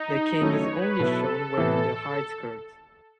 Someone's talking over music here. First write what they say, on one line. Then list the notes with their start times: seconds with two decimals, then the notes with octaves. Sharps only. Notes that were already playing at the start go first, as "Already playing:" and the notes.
The king is only shown wearing the hide skirt.
Already playing: D#4
0.41 D#3 F#3 A3 C#4 E4 C#5
0.70 B4
0.99 B2 F#3 B3 E4 A4
1.58 A2 E3 B3